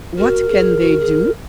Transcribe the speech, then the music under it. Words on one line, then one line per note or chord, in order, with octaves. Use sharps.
What can they do?
F#4 A#4
G#4
F#4
G#4